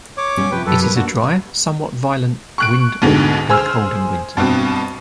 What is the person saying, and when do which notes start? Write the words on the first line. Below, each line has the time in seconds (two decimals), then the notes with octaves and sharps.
It is a dry, somewhat violent wind and cold in winter.
0.18 C#5 D6
0.37 B2 G3 C#4
0.51 C3 F3 B4 G5
0.66 F#2 G4 A4 B4
0.82 G3 A#4 B4
0.96 A#3 D4 F#4
2.58 C#6 F#6 D7
3.02 D2 G#2 B2 D3
3.49 G#4 C5 E6 F6
4.37 G2 B2 C4